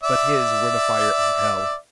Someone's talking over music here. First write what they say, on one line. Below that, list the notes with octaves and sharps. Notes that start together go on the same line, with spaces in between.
But his were the fire of hell.
D5 E5